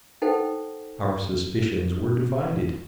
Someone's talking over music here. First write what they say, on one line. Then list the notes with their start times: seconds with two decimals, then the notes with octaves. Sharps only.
Our suspicions were divided.
0.22 D#4 A4 C5 F#5 G5